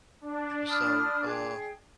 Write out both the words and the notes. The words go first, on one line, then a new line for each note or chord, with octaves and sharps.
So, uh,
D4
B5 D#6 F6
G#4 G5